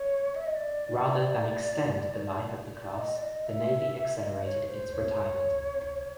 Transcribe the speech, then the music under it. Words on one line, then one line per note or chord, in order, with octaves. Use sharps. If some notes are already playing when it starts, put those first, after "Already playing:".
Rather than extend the life of the class, the Navy accelerated its retirement.
Already playing: C#5
E5
D#5
D5
D5
D5
D#5
D5
D#5
E5
D#5
C#5
C5
C#5